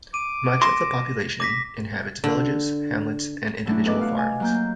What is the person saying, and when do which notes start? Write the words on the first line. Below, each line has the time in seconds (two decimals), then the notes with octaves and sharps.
Much of the population inhabits villages, hamlets and individual farms.
0.14 D6 D#7
0.62 C6 A#6 E7
1.40 D6 A#6 B6
2.24 D3
3.65 E3 F#3 A3 C#4 D4 E4
3.85 E2 A4 B4 D#5 D6
4.01 F#4 F5
4.18 G#5
4.40 F#3 A#3 G6